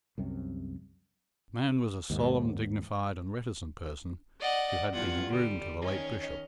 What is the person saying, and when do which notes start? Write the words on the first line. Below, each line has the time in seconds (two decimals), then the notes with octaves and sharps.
The man was a solemn, dignified, and reticent person, who had been groom to the late Bishop.
0.18 C2 F#2 C3
2.10 D#2 G#2
4.40 D5 D#5 F#5
4.92 E2 G2 F4 F#5 G#6
5.28 D3 G3
5.82 D#3 C#4 D#5